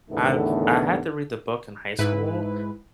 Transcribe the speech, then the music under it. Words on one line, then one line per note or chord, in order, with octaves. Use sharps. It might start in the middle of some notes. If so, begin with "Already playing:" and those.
I've I had to read the book in high school,
E2 A2 D3 D#3 A3 B3
G#2 E4 B4